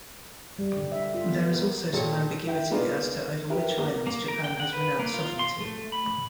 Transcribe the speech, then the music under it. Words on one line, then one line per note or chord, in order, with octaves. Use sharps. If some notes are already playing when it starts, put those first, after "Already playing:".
There is also some ambiguity as to over which islands Japan has renounced sovereignty.
G3
D3
E5
F4
B3
A#4
A#2 G4 A4 C#5
E4 G5
A#3 B3 D4 D#4 F4 G#4
E4 G4 A#4 B4
A#3
A#3
A#4
G5
F#5
B4
A#3
F4
C6
A3
B5